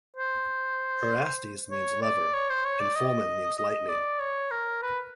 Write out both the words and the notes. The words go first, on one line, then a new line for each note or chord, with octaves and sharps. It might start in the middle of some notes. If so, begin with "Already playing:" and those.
Erastes means "lover" and Fulmen means "lightning".
C5
C#5
D5
C#5
C5
C#5
D5
D#5
D#5
D5
C#5
A#4
B4